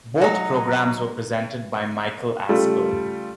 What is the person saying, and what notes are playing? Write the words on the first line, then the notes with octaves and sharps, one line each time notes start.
Both programmes were presented by Michael Aspel.
F#3 D#4
C#3 G3 A3 F4